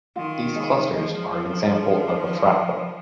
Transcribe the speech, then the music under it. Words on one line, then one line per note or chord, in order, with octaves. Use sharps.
These clusters are an example of a fractal.
D#3 F4
G#3
F3 G#3
A#4
G#2
D#3